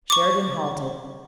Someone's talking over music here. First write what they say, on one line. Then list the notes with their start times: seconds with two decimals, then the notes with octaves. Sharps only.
Sheridan halted.
0.10 C#6 D6